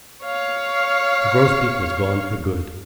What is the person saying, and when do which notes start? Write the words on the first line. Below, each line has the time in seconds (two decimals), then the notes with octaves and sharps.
The grosbeak was gone for good.
0.23 C#5 F5